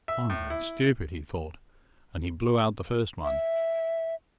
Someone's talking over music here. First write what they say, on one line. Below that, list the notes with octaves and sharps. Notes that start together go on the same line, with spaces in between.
"I'm going stupid," he thought, and he blew out the first one.
E5
A2
E4
E5